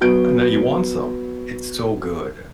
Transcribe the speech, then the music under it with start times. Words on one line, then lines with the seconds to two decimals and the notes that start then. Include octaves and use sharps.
And now you want some, it's so good,
0.01 F#3 B3 G6 D7